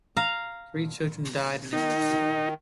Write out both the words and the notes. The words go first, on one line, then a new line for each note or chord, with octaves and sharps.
Three children died in infancy.
F5 A#5
D#3 D#4